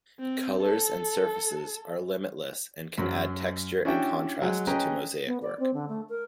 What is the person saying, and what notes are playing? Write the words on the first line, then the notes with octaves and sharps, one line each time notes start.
Colours and surfaces are limitless and can add texture and contrast to mosaic work.
C4
A4
F#2 F#3
C#4 D4 E4 F#4 E5 G5
F#3 G#3 F#5
C#4 G#4 B4 D#5 G5 A#5
B3
D5
C4
D3
A3
A#4